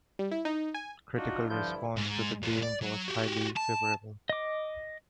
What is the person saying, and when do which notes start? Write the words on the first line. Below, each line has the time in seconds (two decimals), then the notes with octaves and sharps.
Critical response to the game was highly favorable.
0.19 G3
0.31 E4
0.45 D#4
0.74 G#5
1.17 D4 D#4 F4 F#4
1.49 G2 D3 F3 E4 G6
1.96 G#2
2.43 A3 F4
2.63 D5
2.82 F#3
3.08 F#4 G4
3.56 A5
4.29 D#5 D6